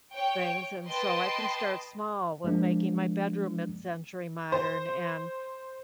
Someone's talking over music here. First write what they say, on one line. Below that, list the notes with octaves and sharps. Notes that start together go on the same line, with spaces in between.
things, and so I can start small with making my bedroom mid-century modern and
C#5 G5
B4 D#5 G5 A5 C6
F3 G#3 A#3 D4
C5